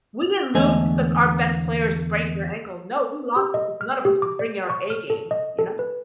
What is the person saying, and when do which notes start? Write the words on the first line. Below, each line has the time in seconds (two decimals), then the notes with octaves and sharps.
we didn't lose because our best player sprained her ankle no, we lost because none of us were bringing our A game, you know?
0.54 E2 D3 G#3 A3 D#5 G#5
3.36 G4
3.54 D#5
3.81 F6
4.05 G4
4.22 D6
4.39 D5
4.70 C#6
4.90 F6
5.10 A4
5.31 D#5
5.59 A4
5.79 B4